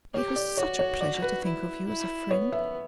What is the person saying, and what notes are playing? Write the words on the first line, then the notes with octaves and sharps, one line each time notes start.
It was such a pleasure to think of you as a friend.'
G4 C#5
D5
F#4 C#5
C#5
D5
B4
E4
E4
B3 C#5
E5